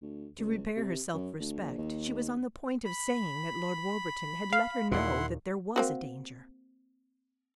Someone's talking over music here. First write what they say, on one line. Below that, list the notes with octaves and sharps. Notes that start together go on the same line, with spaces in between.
To repair her self-respect she was on the point of saying that Lord Warburton had let her know that there was a danger.
D2
C#2
C3
F#2
D2
A#1
D#2
B5
F5
D#2 A#2 E4 F#5 C6
A#3 C4 F#4